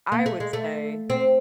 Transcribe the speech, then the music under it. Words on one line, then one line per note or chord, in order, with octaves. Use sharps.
I would say
A#3
A3
G#3
A3
C4